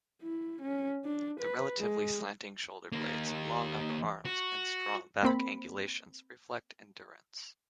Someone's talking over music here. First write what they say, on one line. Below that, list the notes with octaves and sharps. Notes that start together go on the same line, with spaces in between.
The relatively slanting shoulder blades, long upper arms and strong back angulations reflect endurance.
E4
C#4
D4
B4
G#3
D#2 A#3
F#4
A#3 C4 B5